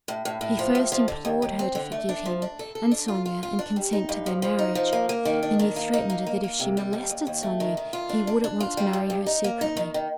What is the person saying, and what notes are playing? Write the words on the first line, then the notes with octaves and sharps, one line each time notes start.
He first implored her to forgive him and Sonya and consent to their marriage, then he threatened that if she molested Sonya he would at once marry her secretly.
A2
A2
A2
F3
A2
F3
D3
D#2
D#2
C4
D3
A3
D4
F3
D4
A4
A4
D4
F4
F4
F4
D4
G3
D#4
G2
F3
F3
D#4
F3
A#3
A#3
D#3
D4
D#3
A#3
D#4
A#3
A#3
A#3
C3
G3
D#2
D#2
D#2
A3
D#3
D#3
F4
D4
D4
D4
F4
G3
G2
G2
D#4
A#3
D#4
D#3
D#3